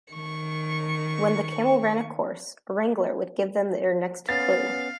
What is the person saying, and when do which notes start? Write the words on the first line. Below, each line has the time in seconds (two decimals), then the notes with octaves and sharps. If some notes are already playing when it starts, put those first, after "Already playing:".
When the camel ran a course, a wrangler would give them their next clue.
0.13 D#3 C#6
4.29 B3 C#4 F5 A6